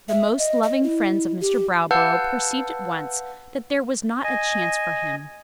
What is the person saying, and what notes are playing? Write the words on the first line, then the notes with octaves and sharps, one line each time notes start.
The most loving friends of Mr. Browborough perceived at once that there was not a chance for him.
E5
D#5
D#5
E4
G4
B4 F5 F#5 A5 E6 G6
D#5 G#5